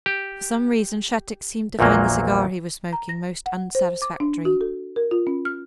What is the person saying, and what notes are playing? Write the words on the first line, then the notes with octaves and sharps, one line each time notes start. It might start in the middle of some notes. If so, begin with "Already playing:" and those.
For some reason Shattuck seemed to find the cigar he was smoking most unsatisfactory.
G4
A#1 E2 A#2 F#3 A#3
A#5
A#6
F#5
C5
D6
D4
F#4
A4
A#4
F4
C#4
F6